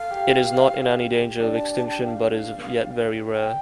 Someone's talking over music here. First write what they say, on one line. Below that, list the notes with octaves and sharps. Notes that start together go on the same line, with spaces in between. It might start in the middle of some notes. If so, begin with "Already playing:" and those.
It is not in any danger of extinction, but is yet very rare.
Already playing: A4 F5
G4
D4
A5
A5
G5
F5
G5